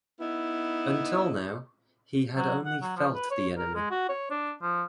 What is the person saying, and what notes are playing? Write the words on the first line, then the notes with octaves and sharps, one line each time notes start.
Until now, he had only felt the enemy.
B3 D#4 E4
F#3
F#5
F#3
F3
B4
C#5
A#4
G#3
F#4
C#5
D4
F3